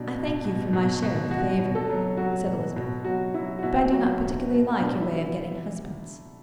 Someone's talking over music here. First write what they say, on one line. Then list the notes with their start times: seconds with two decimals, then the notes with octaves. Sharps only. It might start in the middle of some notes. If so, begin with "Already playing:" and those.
"I thank you for my share of the favour," said Elizabeth; "but I do not particularly like your way of getting husbands."
Already playing: B2 F#3 D4
0.15 B2
0.44 B2
0.73 B2
1.02 B2
1.31 B2 F#4
1.59 B2
1.75 A4
1.90 F#3
2.17 F#3 F#4
2.46 B2
2.76 B2
3.04 F#3 F#4
3.34 F#3 E4
3.59 F#4
3.63 B2 E4
3.92 F#3 F#4
4.21 B2
4.50 B2
4.80 B2 D4
5.01 E4